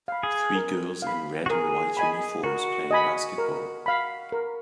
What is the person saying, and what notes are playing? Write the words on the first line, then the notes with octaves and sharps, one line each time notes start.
Three girls in red and white uniforms playing basketball.
F5 B5
G#4
A#4
F5 B5
F#4
G#4 A#4
D#5 G#5 B5
F#4 A#4
D#5 G#5 B5
A#4
F5 B5
A#4